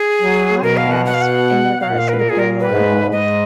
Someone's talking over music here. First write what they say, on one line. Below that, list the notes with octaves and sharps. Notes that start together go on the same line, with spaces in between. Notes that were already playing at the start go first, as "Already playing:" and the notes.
podcasts in regards to the paranormal
Already playing: G#4
F#3
B2 A#4
F5
F#5
F#5
F5
F#5
F5
A#2 F#5
F5
A#4
B4
A#4
A#2 G#4
A#4
B4
G#2
G#2 D#5